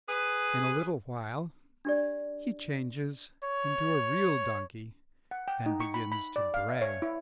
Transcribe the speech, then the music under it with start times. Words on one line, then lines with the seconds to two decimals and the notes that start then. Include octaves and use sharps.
In a little while he changes into a real Donkey and begins to bray.
0.08 G#4 B4
1.85 D4 G4 D5
3.44 C#5
5.31 F#5
5.48 G5
5.66 D#4
5.80 C#6
5.94 B5
6.12 B5
6.36 D5
6.54 F5
6.69 E5
6.81 C#5
7.02 E4